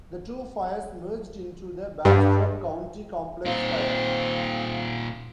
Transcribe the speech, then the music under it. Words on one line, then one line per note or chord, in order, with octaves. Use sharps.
The two fires merged into the Bastrop County Complex fire.
G2
A#2 C4 D#4 F5